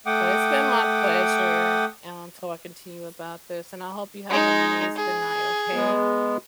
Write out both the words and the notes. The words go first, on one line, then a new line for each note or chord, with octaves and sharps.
but it's been my pleasure, um, talking to you about this, and I hope you have an amazing night, okay?
A3 F#5 G5 D6 D#6
G#3 D#4
G#4
G#3 B3